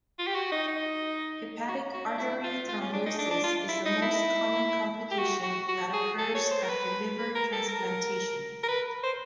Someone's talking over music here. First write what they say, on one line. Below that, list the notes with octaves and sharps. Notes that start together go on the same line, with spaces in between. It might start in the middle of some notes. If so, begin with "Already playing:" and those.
Hepatic artery thrombosis is the most common complication that occurs after liver transplantation.
F4
G4
F#4
D#4
D#4
F#4
F#4
D4
E4
F4
F4
C#4
D4
D#4
D4
D4
F4
E4
D#4
E4
G4
F#4
F#4
F#4
G#4
A4
C#5
C5
A#4
B4
B4
A#4
A4
A#4
A#4
B4
C5